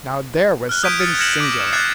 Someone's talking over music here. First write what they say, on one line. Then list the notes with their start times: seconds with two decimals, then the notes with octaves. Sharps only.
Now there was something singular.
0.69 F6 F#6
0.83 D#6 G6 G#6 B6 D7 D#7
0.99 D#6 F6 A6 C#7 D#7
1.19 F6 G#6 A#6 C#7 E7 F#7
1.40 D6 A#6
1.72 D6 F#6 G#6 A6 C7 C#7